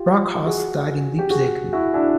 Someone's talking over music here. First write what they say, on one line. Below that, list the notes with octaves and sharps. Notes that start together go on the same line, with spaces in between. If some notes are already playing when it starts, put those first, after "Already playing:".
Brockhaus died in Leipzig.
Already playing: F4 G4
F#4 G#4
G4
F#4 G#4
E4 F#4
D4 E4